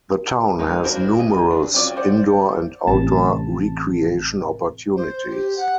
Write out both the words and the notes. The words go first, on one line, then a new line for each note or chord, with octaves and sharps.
The town has numerous indoor and outdoor recreation opportunities.
G#3 D#4 G4 A#4
D4 E4 F#4 A#4 C5
D#5 G#5
D4
C4 C#4 F4 F#4 D5
C5 D5 F#5
A1 C3 A5
C5
G4
F#5